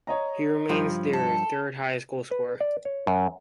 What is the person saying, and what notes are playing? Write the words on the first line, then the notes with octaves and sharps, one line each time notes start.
He remains their third highest goalscorer.
C#5 D#5 A#5
G2 F3
A4
B4
D5
C#5
F#2